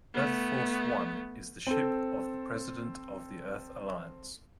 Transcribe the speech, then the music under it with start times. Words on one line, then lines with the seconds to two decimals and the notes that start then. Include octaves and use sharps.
"EarthForce One" is the ship of the President of the Earth Alliance.
0.14 A3 B3
1.67 C4 A4